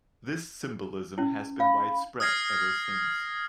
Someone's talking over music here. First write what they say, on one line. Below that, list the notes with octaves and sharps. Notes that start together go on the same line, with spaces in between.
This symbolism has been widespread ever since.
C#4 E4
F5 B5
D#6 F6 G#6 A#6 C7